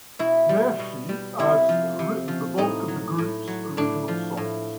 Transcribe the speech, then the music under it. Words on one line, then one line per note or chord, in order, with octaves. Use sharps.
Nershi has written the bulk of the group's original songs.
B2 E4
G3
B2
G3
C3 E4
F3
C3
F3
A2 D#4
F#3
A2
F#3
A2 D4
F3
A2